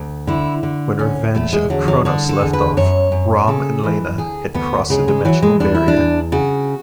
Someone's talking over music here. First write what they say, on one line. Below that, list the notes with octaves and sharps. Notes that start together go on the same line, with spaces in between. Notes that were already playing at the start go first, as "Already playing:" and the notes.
When "Revenge of Cronos" left off, Rom and Leina had crossed a dimensional barrier.
Already playing: D2
D3 E4
D3
D2 C#4
E2 A3
G#3
D3 F#3
F#3
D3 D4
A4
E2
B4
F#2 C#5
F#2
C#3 A4
E3
D2 G#4
D2 B3
C#3 G#3
G#3
E3 F#3
G#3
E2 D4
E4
D4
E2
C#3 F#4